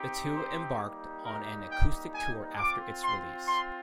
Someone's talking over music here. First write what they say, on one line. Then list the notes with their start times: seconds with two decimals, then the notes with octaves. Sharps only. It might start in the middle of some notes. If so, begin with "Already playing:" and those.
The two embarked on an acoustic tour after its release.
Already playing: C4 D#4 G4
0.36 C5
0.80 G3 A#3 D#4 G4
1.24 A#4
1.69 G5
2.14 G#5
2.58 C4 F4 D6
3.04 C6
3.48 C6